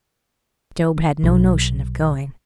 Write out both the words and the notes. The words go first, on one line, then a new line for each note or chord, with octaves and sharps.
But Job had no notion of going.
B1